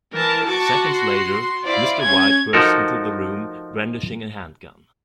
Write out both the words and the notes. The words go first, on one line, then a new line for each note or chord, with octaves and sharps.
Seconds later, Mr. White bursts into the room brandishing a handgun.
E3 A#4 A5
F#4 A5 C#6 D6
C6
E4 F4 C5 D5
C#4 G#6
F3 D#4 F#4 A4 A#4